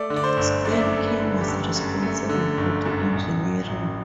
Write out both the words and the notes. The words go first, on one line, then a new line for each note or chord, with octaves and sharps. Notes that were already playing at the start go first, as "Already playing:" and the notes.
Spen King was responsible for the engineering.
Already playing: A3 D5
D3
D5
C5
G1
F#2 D5
E5
D5
A3
B4
D3
G4
G1 A4
F#2
A3
D3
G1
F#2
A1
F#3
A1